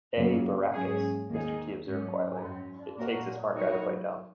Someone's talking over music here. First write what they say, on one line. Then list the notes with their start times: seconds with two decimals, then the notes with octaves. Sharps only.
A. Baracus, Mr. T observed quietly, It takes a smart guy to play dumb.
0.16 F#2 C#3 F#3 A#3
0.72 G#2 F#3 A#3 C#4 G#4
1.29 D#2 D#3 A#3 D#4 G#4
1.85 G#2 F#3 C#4
2.42 F#2 F#3 C#4
2.99 A#2 A#3 F#4 A#4
3.55 F#3 D#4 F#4 A#4 C#5